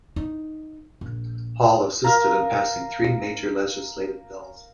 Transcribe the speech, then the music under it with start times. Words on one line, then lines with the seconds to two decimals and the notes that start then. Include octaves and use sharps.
Hall assisted in passing three major legislative bills.
0.16 D#4
1.01 A#1
2.04 A#4 F5 A#5